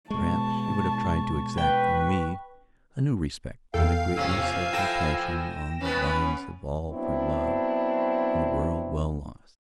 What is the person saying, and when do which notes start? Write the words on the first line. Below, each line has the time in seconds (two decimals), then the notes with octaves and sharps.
Or perhaps she would have tried to exact from me a new respect for the greatness of her passion on the lines of all for love and the world well lost.
0.10 B2 G#3 A5 C#6
1.58 B4 G5
3.74 E2 A4 F5 G5
4.17 C3 F3 C#4 G#5 E6
4.73 E4 A4 G5 A#6 E7
5.81 E3 B3 C#4 B4
6.90 F#3 B3 C4 D4 E4